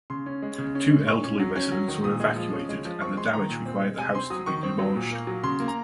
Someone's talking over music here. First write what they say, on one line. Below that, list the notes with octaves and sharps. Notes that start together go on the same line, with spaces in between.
Two elderly residents were evacuated, and the damage required the house to be demolished.
C#3 C6
C#4
G#3
C#3
C#4
G#3
A#2 C#6
C#4
F#3
C#4
F#3
D#3
A#2 D#6
G#3
F3
C#4
G#3
F3
C4 C#6
G#3 C6
D#3 A#5
A#2
C4
G#3
C3 G#5
C4 C6
F#3 D#6
D#3 C#6
C4
F#3
A#2
A#3
F#3
C#3 C6
A#3
A#5